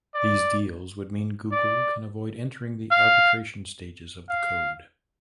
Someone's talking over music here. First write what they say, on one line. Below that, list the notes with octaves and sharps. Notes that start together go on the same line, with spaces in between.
These deals would mean Google can avoid entering the arbitration stages of the code.
D5
D5
F5
F5